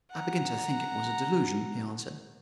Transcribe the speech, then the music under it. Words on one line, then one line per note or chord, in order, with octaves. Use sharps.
"I begin to think it was a delusion," he answered.
F#5 A#5